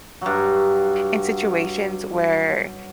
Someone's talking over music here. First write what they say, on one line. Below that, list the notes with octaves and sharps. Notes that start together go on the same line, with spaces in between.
in situations where
G2 F#3